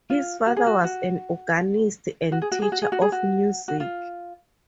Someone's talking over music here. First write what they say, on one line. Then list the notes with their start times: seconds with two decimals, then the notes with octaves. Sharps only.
His father was an organist and teacher of music.
0.10 F4
0.46 F#4
0.57 G#4
0.66 F#4
0.84 F#4
2.32 F#4
2.42 G#4
2.52 F#4
2.62 G#4
2.72 F#4
2.82 G#4
2.92 F#4
3.02 G#4
3.12 F#4
3.68 F#4
3.80 F4